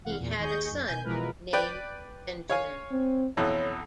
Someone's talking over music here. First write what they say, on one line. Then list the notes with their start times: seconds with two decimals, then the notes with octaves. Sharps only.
He had a son named Benjamin.
0.05 C2 E3 F5 F#5
0.20 E2 A#2
0.38 D#2 G#4 D#5 C#6 G6
0.70 F#2
0.85 B2 G#5 G6
1.04 B2 E3 F3 G#3 A#4 B4
1.53 B4 D5 G5
2.50 C#5 F5 G#5
2.91 C4
3.37 B1 F2 E3 C#5